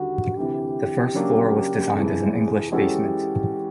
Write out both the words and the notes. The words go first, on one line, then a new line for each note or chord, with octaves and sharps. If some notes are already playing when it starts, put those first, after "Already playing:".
The first floor was designed as an English basement.
Already playing: D#2 D3 G3 F#4
D2 C3 E3 G4
C#3 F#3 A#3 D4
F2 C3 E3 G#4
G#4
E3 G#3 C#4 F#4 G4 A4